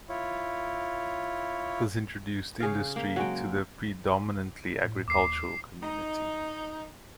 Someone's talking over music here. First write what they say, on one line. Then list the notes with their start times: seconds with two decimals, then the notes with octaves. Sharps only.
This introduced industry to a predominantly agricultural community.
0.09 E4 F4 C#5
2.60 C#3 G#4 F5
2.96 A#3
3.16 F#3 G#3 G5
4.84 A2
5.08 D#2 D6 C7
5.82 D#4